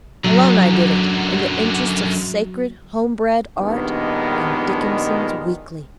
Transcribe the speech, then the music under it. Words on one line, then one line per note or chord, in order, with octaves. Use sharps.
Alone I did it, in the interests of sacred, home-bred Art and Dickenson's Weekly.'
F#2 D3 F#3
A#1 G2 D#3 G#3 B3